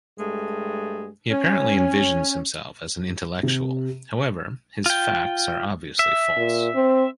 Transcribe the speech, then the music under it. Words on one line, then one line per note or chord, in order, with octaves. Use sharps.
He apparently envisions himself as an intellectual; however, his "facts" are obviously false.
G2 G#3 A3
C#4
C3
F4 G5
E5
A#2
C4